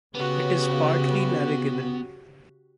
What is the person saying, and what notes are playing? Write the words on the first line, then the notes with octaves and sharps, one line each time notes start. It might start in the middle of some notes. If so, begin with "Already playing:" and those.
It is partly navigable.
C#3 B3 F#4 G4